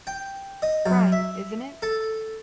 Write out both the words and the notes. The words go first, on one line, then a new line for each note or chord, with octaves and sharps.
Prime, isn't it?
G5
D#5
F#2
E5
A4